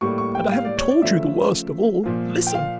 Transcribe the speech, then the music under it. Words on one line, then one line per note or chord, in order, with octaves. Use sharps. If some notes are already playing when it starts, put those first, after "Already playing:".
And I haven't told you the worst of all. Listen!
A2 G3 A#3 C#6
C#6
G5
F5
D5
C#5
D5
C#3 F3 A3 E5
A#2 F3 A#3
G5
F5